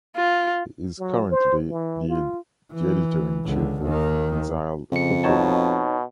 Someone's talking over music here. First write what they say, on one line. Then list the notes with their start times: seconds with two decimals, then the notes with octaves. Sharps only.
He is currently the editor-in-chief of "Exile" Quarterly.
0.16 F4
0.99 F#3
1.31 C5
1.69 E3
2.09 F4
2.73 E3
3.45 C#2 D3
3.83 D#2 D#3
4.92 F2 C#3 C#7
5.24 B2 D#4 C#5 A5